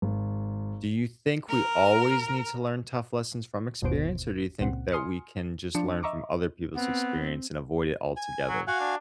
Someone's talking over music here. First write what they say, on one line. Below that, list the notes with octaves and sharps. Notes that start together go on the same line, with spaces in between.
do you think we always need to learn tough lessons from experience, or do you think that we can just learn from other people's experience and avoid it altogether?
G#1
A#4
G1 D#2 B2 C5 D7
C#2 A#2 C4 F#5
G#5 C6 D#6 F6 C#7
F3 D4 A5 C#7
D#5 E5 A#5 C#6 D6
B3 C4
G#5
F#3
F#4 F5 F#5 G#5
D4